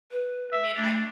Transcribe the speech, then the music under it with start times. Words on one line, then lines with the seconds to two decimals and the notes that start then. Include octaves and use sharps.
I mean, I
0.11 B4
0.53 E5
0.77 A3 D4
0.94 D4